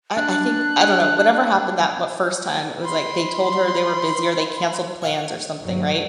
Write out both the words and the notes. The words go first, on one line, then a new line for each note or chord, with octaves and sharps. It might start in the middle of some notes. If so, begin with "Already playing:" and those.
I I think I don't know, whatever happened that what first time, it was, like, they told her they were busy, or they canceled plans or something, right?
D4 F#6
B5 C6
C#5 F5 F#5
G2 F#3